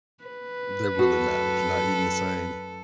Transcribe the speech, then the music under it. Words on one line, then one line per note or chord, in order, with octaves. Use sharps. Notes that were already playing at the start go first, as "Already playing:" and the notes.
That really matters, you're not eating the same.
B4
F#2 F#4 A4